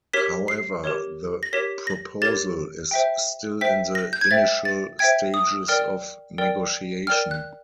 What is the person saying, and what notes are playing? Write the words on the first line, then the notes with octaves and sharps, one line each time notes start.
However, the proposal is still in the initial stages of negotiation.
G4 A#4 C#5 B6
C7
G4 A#4 C#5
A#6
G4 A#4 C#5 B6
A#6
G4 A#4 C#5 A6
C5 E5 G5
C5 E5 G5 B6
A#6
G6
G#6
C5 E5 G5 A6
A6
C5 E5 G5 G#6
D#6
A#4 D5 G5 F6
A#4 D5 G5
A#4 D5 G5 F6
F#6